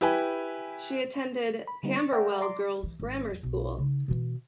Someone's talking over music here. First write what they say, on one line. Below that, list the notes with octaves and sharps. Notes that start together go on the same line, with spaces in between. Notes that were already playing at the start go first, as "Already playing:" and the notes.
She attended Camberwell Girls Grammar School.
E4 G4 B4 G5 G#5
B5
D3 G3 B3 D#4
C#6 A6
A#4 D5 E5 F#5 G5 A#5
D5 A#5 C6 D6
E3
G#1
E2
B1 B2
C#3 D#4
B2 E3